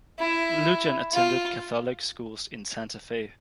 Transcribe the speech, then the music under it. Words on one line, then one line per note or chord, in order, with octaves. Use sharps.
Lujan attended Catholic schools in Santa Fe.
E4
F4